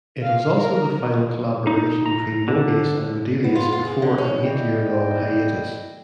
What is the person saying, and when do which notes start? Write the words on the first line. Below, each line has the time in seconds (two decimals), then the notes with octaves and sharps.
It was also the final collaboration between Moebius and Roedelius before an eight-year-long hiatus.
0.23 F5
0.57 A#4
1.67 D#4
2.06 A#5
2.48 D3
3.44 B3
3.55 F4
3.72 F4
3.85 G#4
4.02 D3
4.18 C#4
4.44 B3 E4 D5 D#5 G5